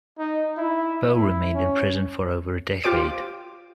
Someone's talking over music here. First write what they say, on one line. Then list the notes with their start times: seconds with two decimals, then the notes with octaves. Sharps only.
Bo remained in prison for over a decade.
0.19 D#4
0.57 E4
1.13 E4
1.54 C#4
2.84 F4 G4 C5 D6